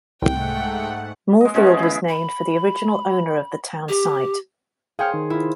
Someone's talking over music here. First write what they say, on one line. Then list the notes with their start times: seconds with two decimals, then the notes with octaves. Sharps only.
Moorefield was named for the original owner of the town site.
0.22 C2 G#2 A3 F#5 G5
1.41 G#3 D#5
1.54 C#3 G#3 B3 C#4
1.67 G#4
1.79 E4 G#4
2.09 B5
3.89 G4
4.99 G#4 C5 C#5 F5 G5 F6
5.14 D#3
5.30 E4 F4